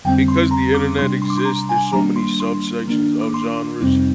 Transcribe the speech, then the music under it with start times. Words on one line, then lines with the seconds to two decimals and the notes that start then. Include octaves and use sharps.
because the internet exists, there's so many subsections of genres
0.05 F2 D3 G3 C4 G5
0.28 C6
0.51 A#5
0.74 D6
0.99 C3 G3 D4 C6
1.22 C6
1.30 D6
1.38 C6
1.45 A#5
1.69 G#5
1.92 D#3 G3 A#3 D4 A#5
2.16 C6
2.40 C6
2.87 D#3 A#3 D4
3.21 D6
3.34 C6
3.81 F2 C3 G3 C4 D#4